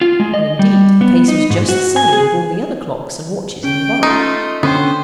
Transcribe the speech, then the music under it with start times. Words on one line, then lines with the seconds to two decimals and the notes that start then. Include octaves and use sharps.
And, indeed the case was just the same with all the other clocks and watches in the borough.
0.01 F4
0.20 G#3
0.34 D#5
0.59 G3
1.01 B3
1.28 D#4
1.50 G#2
1.69 F#4
1.96 G#5
2.13 G#4
3.64 C#4 G5
4.03 A3 D#4 F4
4.63 D3 B3 C#4 C5 G5